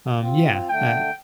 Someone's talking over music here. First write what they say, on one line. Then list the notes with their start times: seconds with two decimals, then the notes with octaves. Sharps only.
Um, yeah, eh,
0.21 C4 F4
0.70 D3 A3 G5